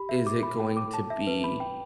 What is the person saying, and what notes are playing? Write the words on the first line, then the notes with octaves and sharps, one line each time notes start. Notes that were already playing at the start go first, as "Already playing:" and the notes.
is it going to be
Already playing: G4 B5
E5
D6
B5
G5
D6
A5
E5
B4
B5
G5